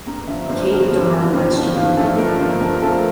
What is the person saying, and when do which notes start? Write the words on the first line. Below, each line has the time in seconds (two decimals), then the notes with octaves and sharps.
Cape Adare lies to the north.
0.07 G2 A#5
0.27 D3 F3 E5
0.49 G2 C5
0.70 D3 F3 A#4
0.91 G2 C4
1.12 D3 F3 C4
1.33 G2 C4
1.54 D3 F3 C4
1.75 G2 F4
1.97 D3 F3 A3 A4
2.18 G2 A#4
2.39 D3 F3 A3 C5
2.60 G2 A#4
2.82 D3 F3 A3 A4